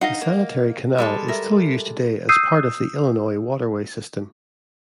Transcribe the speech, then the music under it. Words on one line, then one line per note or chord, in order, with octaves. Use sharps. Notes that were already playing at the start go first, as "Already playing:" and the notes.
The Sanitary Canal is still used today as part of the Illinois Waterway system.
D#4 D#5 F5 F#5
A#3
G3 G#3 A4
A#4 E5
D#6 E6 G6 C7 D#7